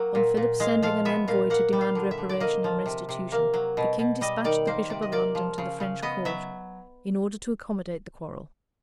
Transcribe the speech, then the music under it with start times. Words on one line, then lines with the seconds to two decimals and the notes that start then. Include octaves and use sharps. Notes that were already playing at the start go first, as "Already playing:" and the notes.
On Philip's sending an envoy to demand reparation and restitution, the king despatched the bishop of London to the French court, in order to accommodate the quarrel.
Already playing: F#3 A#3 G5
0.15 A#2
0.37 A#2
0.60 G#3 F5
0.83 F3 F5
1.05 B3 E5
1.28 A#2 F5
1.50 A#3 F#5
1.73 G3
1.81 F5
1.95 D3
2.11 E5
2.18 D3
2.29 D5
2.40 A#3 D#5
2.64 F3
2.86 C3
3.09 C3
3.32 A#3
3.54 F#3
3.77 B2
3.99 B2
4.21 G3 D#5
4.44 D#3 D5
4.67 A#3 C5
4.89 C3 D5
5.02 D#5
5.12 A#3 D5
5.35 F3
5.58 C#3
5.80 C#3
6.02 B3 D#5
6.25 F#3 E5